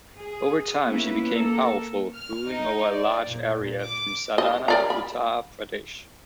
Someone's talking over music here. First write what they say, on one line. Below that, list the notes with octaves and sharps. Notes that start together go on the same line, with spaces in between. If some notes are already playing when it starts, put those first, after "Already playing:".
Over time, she became powerful, ruling over a large area from Sardhana, Uttar Pradesh.
G#4
A#3 B3 C#4 E4 B4
A#3 A4 A#4
F6
D#4
D5
A#2
D6
D#5
A#4 D5 A#5
B5